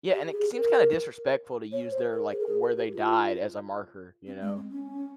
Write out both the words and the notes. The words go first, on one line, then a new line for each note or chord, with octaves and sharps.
Yeah, and it seems kinda disrespectful to use their like, where they died as a marker, you know?
G4
G#4
A#4
C#5
C5
A#4
G#4
A#4
G#4
A#4
G4
F4
C4
G#3
C4
C#4